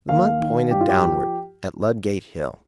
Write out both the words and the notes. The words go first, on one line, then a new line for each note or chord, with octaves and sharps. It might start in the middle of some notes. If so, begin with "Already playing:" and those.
The monk pointed downward at Ludgate Hill.
D#2 F5
D#3
G2 G4
F4
G4
F3